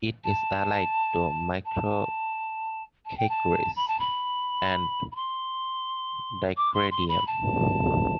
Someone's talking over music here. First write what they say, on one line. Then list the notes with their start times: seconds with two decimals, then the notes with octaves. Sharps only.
It is allied to "Microcachrys" and "Dacrydium".
0.24 A5
1.65 A5
3.05 A5
3.17 G5
3.29 A5
3.76 B5
3.88 A5
3.99 B5
5.12 B5
5.15 C6
6.57 D6
6.74 C6
6.91 C6
7.08 B5
7.27 A5